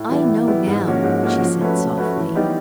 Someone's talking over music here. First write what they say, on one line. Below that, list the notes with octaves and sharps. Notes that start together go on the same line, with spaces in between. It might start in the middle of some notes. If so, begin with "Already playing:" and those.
"I know now," she said, softly.
Already playing: A2
E3 G3 B3 E4
A2
E3 G3 B3 E4
G#2
F3 A#3 C#4 F#4
G#2
F3 A#3 C#4 F#4
F3
A3 C#4 F#4 B4
F3
A3 C#4 F#4 B4
E3
G3 B3 D#4 G4